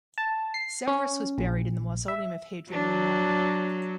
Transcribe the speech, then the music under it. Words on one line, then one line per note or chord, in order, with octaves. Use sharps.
Severus was buried in the Mausoleum of Hadrian in Rome.
A5
C7
C#4
A#1
E5
F#3 D4